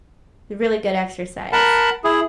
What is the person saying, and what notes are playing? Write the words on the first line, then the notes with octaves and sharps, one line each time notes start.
Really good exercise.
A#4 F#5 A5 B5
E4 G#4